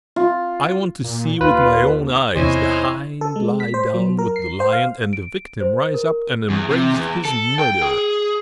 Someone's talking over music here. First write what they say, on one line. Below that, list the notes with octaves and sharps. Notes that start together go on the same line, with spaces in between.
I want to see with my own eyes the hind lie down with the lion and the victim rise up and embrace his murderer.
F4
A#2
D#2 F4 B4
E2 C3 E4 C5 C#5 D#5 G#5
A4
G#3
B6
C5
F#3
A#4
C7
C5
F5
D7
C5
A#4
E2
C3
E2
A4
G5
G#4